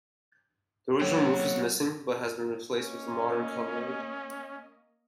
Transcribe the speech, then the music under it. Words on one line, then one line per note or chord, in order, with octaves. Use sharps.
The original roof is missing but has been replaced with a modern covering.
F#3 A#3 G5
A#3 C#4 D#5